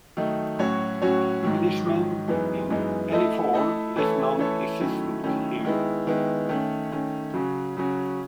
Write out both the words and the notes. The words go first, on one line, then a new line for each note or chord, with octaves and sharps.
Punishment in any form is non-existent here.
D#3 F#3 A3 D#4
A2 F#3 C#4 F#4 C#5
A2 F#3 C#4 F#4 C#5
G#2 D#3 F#3
G#2 D#3 F#3
F#2 E3 G#3 B3 D#4
F#2 E3 G#3 B3 D#4
A3 E4 A4 D#5
A3 E4 A4 D#5
E3 A3 E4 A4 C#5
E3 A3 E4 A4 C#5
D#3 F#3 A3 C#4 E4
D#3 F#3 A3 C#4 E4
D#3 G#3 B3 E4
D#3 G#3 B3 E4
D#3 A3 C#4
D#3 A3 C#4
C#3 F#3 C#4 F#4
C#3 F#3 C#4 F#4